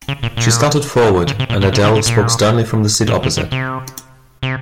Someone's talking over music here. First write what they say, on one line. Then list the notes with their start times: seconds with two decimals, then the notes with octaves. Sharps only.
She started forward, and Adele spoke sternly from the seat opposite.
0.08 C#3
0.23 A#2
0.37 A#2
1.27 C#3
1.39 C3
1.50 A#2
1.61 A#2
1.73 C3
1.84 C#3
1.95 C3
2.06 A#2
3.08 A#2
3.23 C3
3.37 D#3
3.52 C3
4.43 C3